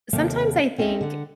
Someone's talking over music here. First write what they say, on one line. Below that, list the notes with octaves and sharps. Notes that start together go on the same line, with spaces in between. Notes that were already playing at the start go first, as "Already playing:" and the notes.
sometimes I think,
D#2 C3 A3 A#3 G5
C4 C#4 D#4 A4 D#5 E5
D3 F#5